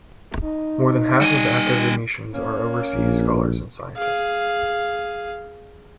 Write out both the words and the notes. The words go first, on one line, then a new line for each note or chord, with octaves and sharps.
More than half of the academicians are overseas scholars and scientists.
D#4
G3 G#5
A#3 C#4
A#1
G#4 F5